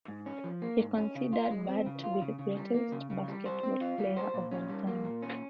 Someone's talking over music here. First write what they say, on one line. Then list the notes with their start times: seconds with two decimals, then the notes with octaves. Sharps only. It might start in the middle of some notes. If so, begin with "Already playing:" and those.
He considered Bird to be the greatest basketball player of all time.
0.08 G#2
0.26 C#4
0.44 F3
0.62 A#3
0.80 G#2
0.97 C#4
1.15 C#3
1.33 F4
1.50 G#3
1.68 C4
1.86 C#3
2.04 F4
2.22 C#3
2.39 C#3
2.57 G3
2.74 A#3
2.92 C#3
3.10 C#3
3.28 G3
3.45 C5
3.63 C4
3.81 F4
3.98 G3
4.17 C5
4.34 A#2
4.51 C#4
4.69 G3
4.87 A#3
5.05 A#2
5.23 C#4